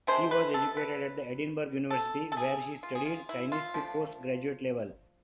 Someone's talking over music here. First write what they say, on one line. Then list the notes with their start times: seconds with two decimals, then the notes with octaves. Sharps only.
She was educated at Edinburgh University where she studied Chinese to post-graduate level.
0.07 C3 G#3 D4 C5
0.31 B4
0.54 A4
0.77 B4
1.91 A4
2.32 A4
2.37 G#4
2.83 F4
2.95 G#4
3.05 F4
3.29 E4
3.52 F4
3.74 F3 A3 D4